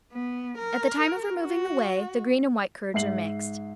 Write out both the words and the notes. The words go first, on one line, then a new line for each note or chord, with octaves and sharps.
At the time of removing the whey the green and white curds are mixed.
B3
A#4
F#4
G#2 E5 C7 F#7